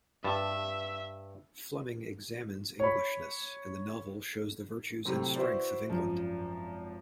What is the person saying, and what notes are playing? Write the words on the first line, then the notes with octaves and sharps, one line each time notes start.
Fleming examines Englishness, and the novel shows the virtues and strength of England.
G2 E5 A5
C#5 B5
A2 C3 F#3 C4
E4 F#4 B4 C5 D5
G#1 F#2 F3